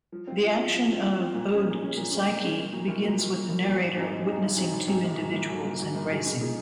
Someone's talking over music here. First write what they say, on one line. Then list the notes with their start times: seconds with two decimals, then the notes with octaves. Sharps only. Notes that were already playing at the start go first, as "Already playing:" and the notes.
The action of "Ode to Psyche" begins with a narrator witnessing two individuals embracing.
0.12 F3
0.27 C4 F4
0.43 F3
0.58 C4 F4
0.73 F3
0.88 C4 F4
1.05 F3
1.20 C4 F4
1.34 A#2
1.50 G#3 C#4
1.65 A#2
1.81 G#3 C#4
1.97 A#2
2.11 G#3 C#4
2.27 A#2
2.42 G#3 C#4
2.58 C2
2.73 A#2 F#3
2.88 C2
3.03 A#2 F#3
3.19 C2
3.35 A#2 F#3
3.49 C2
3.65 A#2 F#3
3.80 G#1
3.96 G#2 F#3 C4 D#4
4.10 G#1
4.26 G#2 F#3 C4 D#4
4.41 G#1
4.57 G#2 F#3 C4 D#4
4.72 G#1
4.87 G#2 F#3 C4 D#4
5.03 A#1
5.18 G#2 F#3
5.33 A#1
5.49 G#2 F#3
5.64 A#1
5.79 G#2 F#3
5.95 A#1
6.09 G#2 F#3
6.26 C#3
6.41 F3 A#3 D#4 G#4